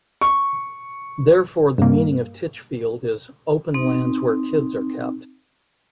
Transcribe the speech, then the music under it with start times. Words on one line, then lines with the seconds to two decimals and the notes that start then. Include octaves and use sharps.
Therefore, the meaning of Titchfield is 'open lands where kids are kept'.
0.21 C#6
1.78 G2 A#3
3.74 C4 D#4